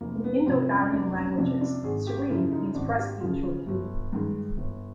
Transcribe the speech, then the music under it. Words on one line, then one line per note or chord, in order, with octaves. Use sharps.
In Indo-Aryan languages, Sri means prestige or beauty.
F1 A#3
B3
F2 C3 F3 C4
C#4
F1 D4
C#4
F2 C3 F3 D4
D4
G#1 G#4
G4
F#2 C#3 F3 E4
D#4
G#1 D4
G4
F#2 C#3 F3 F4
F4
G1
G2 D#3 G#3
G1